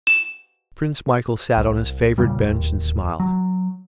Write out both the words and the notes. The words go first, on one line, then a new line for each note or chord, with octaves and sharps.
Prince Michael sat on his favourite bench and smiled.
E7
C2
E2 A#2 C#3 G3
D1 D#2
F#3